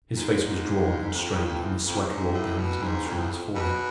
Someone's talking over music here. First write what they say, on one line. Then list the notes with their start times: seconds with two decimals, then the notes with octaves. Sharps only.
His face was drawn and strained, and the sweat rolled down his nose from his forehead.
0.16 G#2
1.13 F2
1.29 F2
1.45 F2
1.61 E2
1.86 F2
2.10 G#2
2.34 A2
2.58 B2
2.82 G#2
3.06 F2
3.19 E2
3.30 F2
3.55 B2